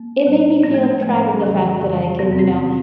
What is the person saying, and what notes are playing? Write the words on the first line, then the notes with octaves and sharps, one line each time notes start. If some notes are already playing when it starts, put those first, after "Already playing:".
it made me feel proud of the fact that I can, you know,
Already playing: A#3
A#2 G3
A2 F3 B3
A3
G#3
A2 F3 A3
C#4
F2 C#3 E3 G3
F2 C#3 E3 G3
E2 C3 D#3 B3
C4
C#4
C3 D#3 C4